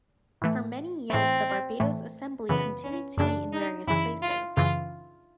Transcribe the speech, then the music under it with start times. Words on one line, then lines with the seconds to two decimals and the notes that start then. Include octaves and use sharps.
For many years the Barbados Assembly continued to meet in various places.
0.42 A2 E3 A3
1.10 A2 E3 A3 C4
1.80 A2 E3 A3
2.49 F#2 C#3 E3 B3
2.84 C#4
3.18 F#2 C#3 E3 D4
3.53 D#4
3.88 F#2 C#3 E3 E4
4.22 F4
4.56 F#2 C#3 E3 F4